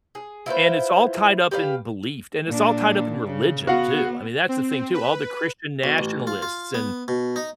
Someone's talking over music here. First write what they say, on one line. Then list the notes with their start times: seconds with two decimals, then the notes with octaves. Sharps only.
and it's all tied up in belief, and it's all tied up in religion too, I mean, that's the thing too, all the Christian nationalists and,
0.15 G#4
0.46 E4 F4 B4 C5
1.51 G4 B4 D5 F5
2.47 A#2 D4
3.26 C#3
3.67 B3 F#4 F5 F#5
4.49 C4
4.94 B4
5.84 B1
5.98 A1
6.27 F4
6.42 F4
6.74 B3
7.08 B2
7.36 D#4